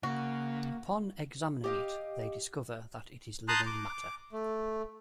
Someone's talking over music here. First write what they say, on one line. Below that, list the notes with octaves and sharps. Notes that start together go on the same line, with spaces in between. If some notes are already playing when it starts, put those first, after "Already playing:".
Upon examining it, they discover that it is living matter.
C#3 A#3 F#4
G4 D#5 F5
A5 A#5 C6 D#6 F#6 G6
D6
A3